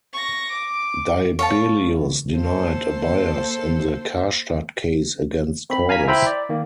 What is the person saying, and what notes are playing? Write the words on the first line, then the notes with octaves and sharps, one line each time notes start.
Dibelius denied a bias in the "Karstadt" case against Cordes.
C#6 A#6
D6
C#5 F5 A5
A#3 A4 C5
C4 B5
F5 G#5 A#5 G#6 B6
E4 C5 E5 G5 A#5 B5
D5
D#3 A#3